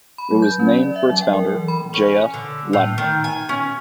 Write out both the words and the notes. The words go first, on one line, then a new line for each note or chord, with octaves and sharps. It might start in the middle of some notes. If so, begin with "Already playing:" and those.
It was named for its founder, J. F. Latimer.
B5
F#3
G6
C#4
D5
E5
F#3
G5
A#4
E3
B5
C#4
D3
A2
D#3
G#5
C#4